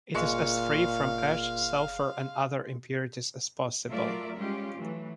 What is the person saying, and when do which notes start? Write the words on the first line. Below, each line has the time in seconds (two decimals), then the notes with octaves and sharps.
It is as free from ash, sulfur, and other impurities as possible.
0.14 F#1 A#2 G#3 F5 C#6
3.90 F#3 A3 F4 A#4 D5 E5
4.37 G3 G#3 C#4 F4 G4
4.78 E3 F#3 A3